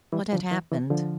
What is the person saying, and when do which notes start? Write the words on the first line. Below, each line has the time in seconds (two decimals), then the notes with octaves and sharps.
What had happened?
0.13 E3 G3
0.33 D3 F3
0.52 E3
0.71 E3
0.90 D3 F3